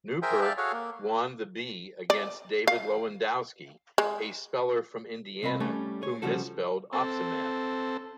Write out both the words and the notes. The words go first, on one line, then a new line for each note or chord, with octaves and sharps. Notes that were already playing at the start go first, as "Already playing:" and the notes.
Nupur won the bee against David Lewandowski, a speller from Indiana who misspelled opsimath.
G#4 A#4 C5 E5 G5 G#5
D5 E5 F5 G5 A5
F#4 G#4 A4 C#5 F5
A#3
D5
F5
G#3
C2 C4 D#5 B5
G3 A3 C#4 A4
G#4 C#5
C#3 F3 G3 F#4 A4
C4 A4